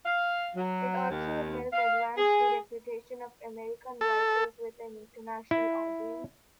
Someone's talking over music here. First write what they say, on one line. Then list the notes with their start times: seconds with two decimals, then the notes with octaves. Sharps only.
It also helped advance the reputation of American writers with an international audience.
0.06 F5
0.56 F#3
1.11 D#2
1.73 F5
2.18 G#4
4.01 A4
5.51 E4